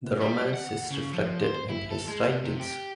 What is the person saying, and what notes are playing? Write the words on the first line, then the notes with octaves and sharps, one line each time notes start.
The romance is reflected in his writings.
G3
F#5
C#3
F3
C5
E4
A4
G#3
C3
C3
G4